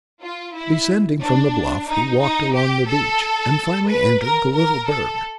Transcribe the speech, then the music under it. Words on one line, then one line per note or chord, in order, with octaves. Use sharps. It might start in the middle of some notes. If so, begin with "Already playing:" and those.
Descending from the bluff, he walked along the beach, and finally entered the little burg.
F4
E4
D4
D#4
D#4
G4
A4
B4
A#4
A#4
A4